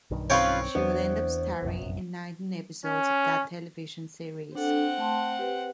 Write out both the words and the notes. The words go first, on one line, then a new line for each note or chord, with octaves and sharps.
She would end up starring in nineteen episodes of that television series.
B1 G2 D#3
C4 C#4 F4 B4 C#5 G5
E2 E3 B3 D4 C5
F1 A#1 F#2
C#4
C4 D4 A4 F#5
A3 A5 C6
G4 B4